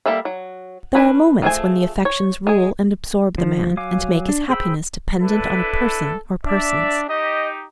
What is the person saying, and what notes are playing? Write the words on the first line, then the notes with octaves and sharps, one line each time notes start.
There are moments when the affections rule and absorb the man and make his happiness dependent on a person or persons.
G3 A#3 A4 E5 B5
F#3
D4 B4 G#5 B5
D#3 F3 A3 G#4 G#5
C#5
G#3 G#4
F3
F#3 F5 G#5 D6
D4
G#4 C5 G5 B5 E6
D4 E4 A4 B4
D4 D5 E5
D#4 G4 D#5